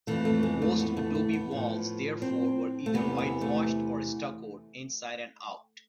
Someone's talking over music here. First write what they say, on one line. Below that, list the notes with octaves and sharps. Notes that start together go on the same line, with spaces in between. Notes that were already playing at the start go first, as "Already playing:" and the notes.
Most adobe walls, therefore, were either whitewashed or stuccoed inside and out.
F2 E3 A3
A3
G#3
A3
B3
A3
A3
B3
A2 F3
C4
A3
E2 C3 E3 B3
B3
A3